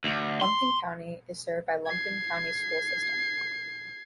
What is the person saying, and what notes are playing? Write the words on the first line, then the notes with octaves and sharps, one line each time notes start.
Lumpkin County is served by Lumpkin County School System.
D2
C6
G#6 C7